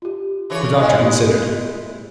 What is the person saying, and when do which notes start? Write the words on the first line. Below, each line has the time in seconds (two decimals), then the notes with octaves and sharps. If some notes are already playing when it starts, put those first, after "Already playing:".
The doctor considered.
0.02 F4 G4
0.50 C#3 E3 C#5
0.78 G3 G#3 E4 D#5 G#5
0.99 B3 G4
1.39 A3